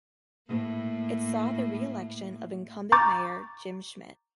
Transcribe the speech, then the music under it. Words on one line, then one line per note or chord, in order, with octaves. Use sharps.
It saw the reelection of incumbent mayor Jim Schmitt.
A2 A#3
A#5 C#6 D6 G6 A6